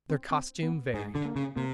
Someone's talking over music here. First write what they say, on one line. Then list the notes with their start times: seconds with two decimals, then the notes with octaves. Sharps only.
Their costume varied.
0.10 C4
0.31 C4
0.63 B3
0.94 G#2 G#3
1.15 D3
1.25 A#3
1.36 C#3
1.56 C3 A#3